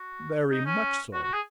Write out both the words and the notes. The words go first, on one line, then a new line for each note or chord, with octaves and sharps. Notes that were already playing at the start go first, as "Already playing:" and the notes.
"Very much so."
Already playing: F#4
D#4
C#4
F#4
F#4
G#4